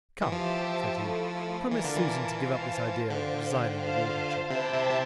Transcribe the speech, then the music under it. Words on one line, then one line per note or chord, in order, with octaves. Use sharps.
"Come," said he, "promise Susan to give up this idea of resigning the wardenship."
E3
F3 G4 C5 E5 A5
A3 E4 A4
E3 F4 A#4 D5 A5
D3
E3
F4 C5 F5 A5
D3 F4 C5 G5
F4 C5 F5 A5
C3 E4 G4 C5 E5 A5
C3
C3